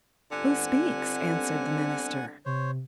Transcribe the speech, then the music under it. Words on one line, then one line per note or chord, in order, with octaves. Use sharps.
"Who speaks?" answered the minister.
G1 D3 C4 F#5 G#5
C3 C5 C#5